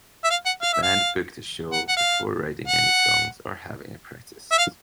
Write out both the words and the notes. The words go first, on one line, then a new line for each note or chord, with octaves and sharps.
The band booked a show before writing any songs or having a practice.
E5
F5
F#5
F5
E5
F5
F#5
F#5
F5
F#5
E5
F5